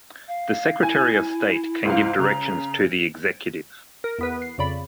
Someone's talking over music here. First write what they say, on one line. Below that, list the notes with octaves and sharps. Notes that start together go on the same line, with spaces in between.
The Secretary of State can give directions to the Executive.
F5
E4 G#5
C#2 G#2 F5
C#3 A#5
A#4
E2 B3 B4
C7
F2 C#3 D5 B5